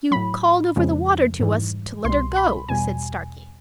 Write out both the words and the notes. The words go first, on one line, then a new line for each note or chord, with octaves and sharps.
"You called over the water to us to let her go," said Starkey.
A2 F#3 B5
F2 C#3 F3 G#3
G#2 E3 G3
C2 B2 G3 C6
B5
E2 B2 G3 G#5